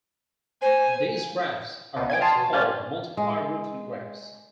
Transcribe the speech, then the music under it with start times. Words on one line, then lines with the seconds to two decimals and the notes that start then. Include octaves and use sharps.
These graphs are also called multiply rooted graphs.
0.62 C5 G#5
1.96 C#2 B2
2.10 G5 G#5 G#6
2.21 A5 C6 D#6 F6
2.36 B2
2.53 F3 G3 A#3 C#4 D4 F4
3.17 G#3